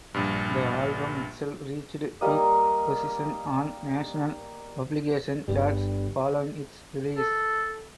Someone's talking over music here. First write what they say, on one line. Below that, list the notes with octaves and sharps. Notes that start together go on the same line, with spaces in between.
The album itself reached peak positions on national publication charts following its release.
A#1 G2
G3 A#3 A#4 D#5
G1 G2 G3
A4